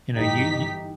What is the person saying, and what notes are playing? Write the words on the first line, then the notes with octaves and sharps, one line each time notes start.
you know you you
G1 E3 D#4 G4 B6